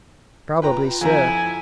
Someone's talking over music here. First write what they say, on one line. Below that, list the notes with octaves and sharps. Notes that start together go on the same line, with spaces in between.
Probably so.
F4 B4 G5 A#5
F2 E4 G#5 A#5 G#6